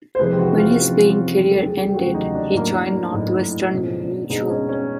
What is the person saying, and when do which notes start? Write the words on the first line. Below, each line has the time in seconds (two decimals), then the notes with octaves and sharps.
When his playing career ended, he joined Northwestern Mutual.
0.15 C5
0.19 F2 C3 E3 G#3 B4
0.32 G4
0.39 F#4
0.57 F4
0.77 F2 C3 E3 G#3 C#4
1.36 E2 C#3 F#3 A3 G4
1.51 A4
1.66 G#4
1.81 G4
1.94 E2 C#3 F#3 A3 F#4
2.15 D#4
2.34 D4
2.54 A2 F#3 A#3
3.12 A2 F#3 A#3 D#4
3.31 D#4
3.52 E4
3.70 B2 G#3 C#4
4.00 D4
4.29 B2 G#3 D#4
4.49 C#4
4.69 C#4